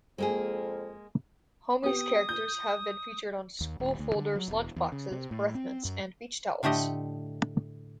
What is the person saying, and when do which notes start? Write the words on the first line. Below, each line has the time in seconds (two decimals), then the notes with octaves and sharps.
Homies characters have been featured on school folders, lunchboxes, breath mints, and beach towels.
0.18 F2 G#3 A#3 G#4
1.83 B3 G4 D#6
2.29 G6
3.61 D#2
3.80 D#1
3.99 D2
4.16 D3
4.36 F#3
4.48 E1
4.76 E2
4.92 C#3
5.12 C3
5.31 A2
5.55 C4
5.85 F#2
6.63 A2 D3 A3 G4 D#5